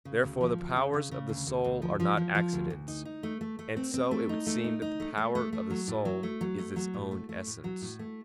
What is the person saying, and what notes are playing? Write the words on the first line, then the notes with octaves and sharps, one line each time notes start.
Therefore the powers of the soul are not accidents; and so it would seem that the power of the soul is its own essence.
C#3
D2
F3
D2
C#3
C#3
C#3
D2
D2
D2
F3
F3
F3
F3
D2
D2
D#4
D#4
A3
A3
A3
C4
C4
A3
D#4
A3
D#4
D#4
A3
A3
A3
A3
F#3
A2
F#3
A3
F#3
A3
F#3
A2
A3
A3
A2
F#3
A2
A3